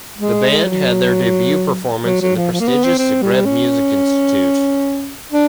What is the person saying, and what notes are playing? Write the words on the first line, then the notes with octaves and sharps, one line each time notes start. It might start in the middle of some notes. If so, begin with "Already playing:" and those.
The band had their debut performance in the prestigious Zagreb Music Institute.
G#3
F#3
F#3
F#3
F3
F3
A#3
B3
C4
C4
G3
C#4
D4